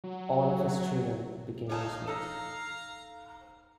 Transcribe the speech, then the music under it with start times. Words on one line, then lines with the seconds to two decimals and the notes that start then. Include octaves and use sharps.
All of his children became Muslims.
0.04 F#3
1.69 A3 D#4 C#5 F5 G#5 A5
2.07 D#4 A4 F5 A#5